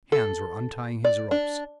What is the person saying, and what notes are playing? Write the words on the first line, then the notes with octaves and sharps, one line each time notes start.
Hands were untying his ropes.
A4
D5
D4